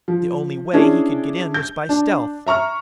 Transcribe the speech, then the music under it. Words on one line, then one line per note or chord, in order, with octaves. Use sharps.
The only way he could get in was by stealth.
F3
C#4 D4 E4 G#4
G6
D4
E5 A#5 C#6 F6